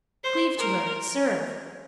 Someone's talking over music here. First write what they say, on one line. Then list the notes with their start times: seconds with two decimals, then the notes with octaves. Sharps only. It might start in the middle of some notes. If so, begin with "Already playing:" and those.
Cleave to her! Serve!
0.24 C5
0.58 A#4